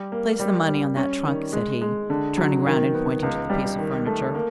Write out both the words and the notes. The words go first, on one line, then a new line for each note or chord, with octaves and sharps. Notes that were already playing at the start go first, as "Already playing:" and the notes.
"Place the money on that trunk," said he, turning round and pointing to the piece of furniture.
Already playing: G3
A#3
G3
G3
C#4
D#3
G#3
G#3
D3
F#3
D#3
B3
C#2
G3
D#3
A3
A#3